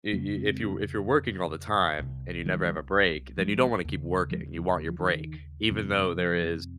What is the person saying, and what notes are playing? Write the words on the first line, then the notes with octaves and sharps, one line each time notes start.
i if you if you're working all the time, and you never have a break, then you don't wanna keep working. You want your break, even though there is
F2 C#3 G3 A#3
G#3 C4
C2 C3
D#3 G3
F3 G#3
D#2 C#3
F3 G#3
F3
D#3
F3
D#3
F2 C3
F3